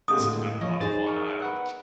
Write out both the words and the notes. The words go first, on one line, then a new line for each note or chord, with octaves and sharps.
This has been a lot of fun, I I don't
D3 G#3 A#3 D#6
A2
F3 C#5 D#5
D#4 G#4 C5 A6
A#4 C#6
B4 F#5